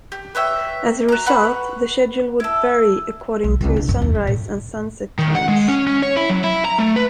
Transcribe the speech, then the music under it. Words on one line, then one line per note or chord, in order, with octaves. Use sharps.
As a result, the schedule would vary according to sunrise and sunset times.
G4
B4 C#5 E5 G5
F#4 A#5
B4 F#5 B5 C#6
E4 A4
B1
C2
D4
F#2
D#2
G2
A2
D#3
F#5
G#3
C#4
C#4
C#5
E4
F#3
E4
A#5
A3
B4